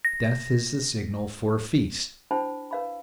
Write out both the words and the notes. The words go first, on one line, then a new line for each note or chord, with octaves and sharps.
Death is the signal for a feast.
A#6
D4 E4 C5 G5 A5 B5
B4 F5 B5